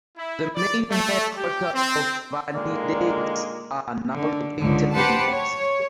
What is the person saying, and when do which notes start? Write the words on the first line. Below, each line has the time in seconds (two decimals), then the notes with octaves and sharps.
The main headquarters of "Vanidades" are now located in Mexico.
0.17 E4
0.56 D5
0.90 A3
1.37 G4
1.73 C4
2.55 A#2 D3 D#3 G#3 A#3
4.13 D3
4.59 C#2 G#2 D3
4.94 G4 B4 C5 F#5 A5
5.31 C#5